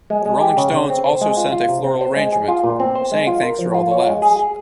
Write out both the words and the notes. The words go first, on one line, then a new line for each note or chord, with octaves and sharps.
The Rolling Stones also sent a floral arrangement, saying "Thanks for all the laughs".
G#3
G#3
G4
C#3
C#3
C4
C5
G#3
F4
F4
C3
C4
C5
G#3
G#4
F4
A#2
C4
C5
G#3
F4
A#4
F3
F4
C#5
G#3
G#4
G#4